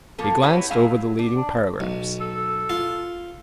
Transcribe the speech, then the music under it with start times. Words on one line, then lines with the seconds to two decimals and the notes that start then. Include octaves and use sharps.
He glanced over the leading paragraphs.
0.18 F3 A#3 A4
0.42 E4 F#4 G4 B4 C#5 F#5
0.70 F#3 G#3 E4 F5
1.19 D4
1.80 B1
2.21 A4
2.70 F4